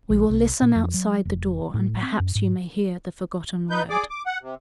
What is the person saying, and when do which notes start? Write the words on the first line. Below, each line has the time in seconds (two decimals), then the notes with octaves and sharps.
We will listen outside the door, and perhaps you may hear the forgotten word.
0.10 A#1
0.30 C2
0.62 A#2
0.76 F2
0.94 F#3
1.25 F1
1.74 A2
2.03 C4
2.20 F#2
2.35 G#2
3.70 D#4 B4 G6
3.90 G#4 D5 D6
4.10 D6
4.26 F#5
4.41 C3